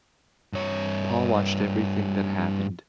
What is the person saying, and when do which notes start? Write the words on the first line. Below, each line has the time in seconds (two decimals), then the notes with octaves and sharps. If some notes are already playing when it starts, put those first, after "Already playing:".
Paul watched everything that happened.
0.53 G2 C#5